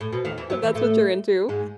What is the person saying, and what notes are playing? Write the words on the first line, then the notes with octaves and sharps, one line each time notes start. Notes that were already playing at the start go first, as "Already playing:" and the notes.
if that's what you're into.
A2
B2
D#2 D#3
E2 E3
F#2 F#3
E2 E3
A2 A3
G#2 G#3